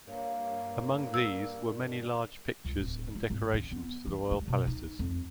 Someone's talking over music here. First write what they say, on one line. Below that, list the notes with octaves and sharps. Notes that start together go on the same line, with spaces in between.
Among these were many large pictures and decorations for the royal palaces.
G2 A#3 A#4 C#5 F5
A#4 D5 E6
C#2
D1
G#3
G#1
D3
B3
E3
G3
B2
D#4
F2